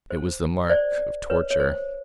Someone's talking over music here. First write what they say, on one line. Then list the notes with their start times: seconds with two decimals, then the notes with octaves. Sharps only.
It was the mark of--torture!
0.10 C5
0.70 C5 D5
1.30 B4 C#5
1.50 C#5
1.60 C5